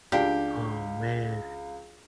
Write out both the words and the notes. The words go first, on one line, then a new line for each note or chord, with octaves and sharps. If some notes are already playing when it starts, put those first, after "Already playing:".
Oh, man.
C#2 D4 G4 F5